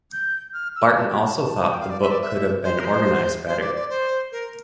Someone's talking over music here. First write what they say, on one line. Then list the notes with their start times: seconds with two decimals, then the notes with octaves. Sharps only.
Barton also thought the book could have been organized better.
0.13 G6
0.53 F6
0.76 E6
0.95 A5
1.09 G5
1.24 A5
1.38 A5
1.72 G5
1.80 F5
1.90 D5
2.01 E5
2.11 D5
2.22 E5
2.64 C5
2.80 A#4
2.85 C5
3.47 C5
3.61 D5
3.75 D5
3.90 C5
4.32 A#4